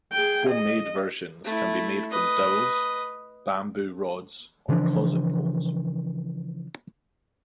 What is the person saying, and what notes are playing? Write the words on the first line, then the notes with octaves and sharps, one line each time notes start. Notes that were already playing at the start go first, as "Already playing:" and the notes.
Homemade versions can be made from dowels, bamboo rods, or closet poles.
G#4 G5
D#5
A3 E4
B4 D#5
C#3 E3 F3 D4